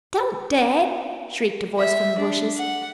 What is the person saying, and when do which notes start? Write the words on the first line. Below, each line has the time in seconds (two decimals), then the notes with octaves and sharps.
"Don't, Dad!" shrieked a voice from the bushes.
1.79 E5
2.19 D4
2.57 F#5